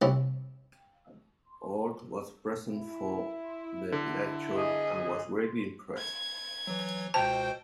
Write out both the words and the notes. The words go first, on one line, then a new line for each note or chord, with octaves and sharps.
Oort was present for the lecture and was greatly impressed.
C2 C3 C#4 E4
E4
D3
G#4 D#5
G#6
E3 F#3
C#2 B2 C5 G5 A5